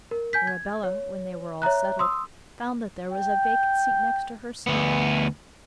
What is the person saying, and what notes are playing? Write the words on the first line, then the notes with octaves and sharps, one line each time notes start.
Arabella, when they were all settled, found that there was a vacant seat next herself.
A#4
G#5 G6 B6
G#6
C#5
C#5 E5 A#5 F#6
C6 D#6 E6
G5
D2 B3